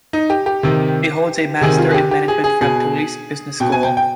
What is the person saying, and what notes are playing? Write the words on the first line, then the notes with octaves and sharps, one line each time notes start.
He holds a Master in management from Toulouse Business School.
D#4
G4
G4
C3 D#3
C3 D#3 G#4
F4
G#4
G4
G4
G#4
G#4
B2 G#4
B2 G5
G#5
G5
G5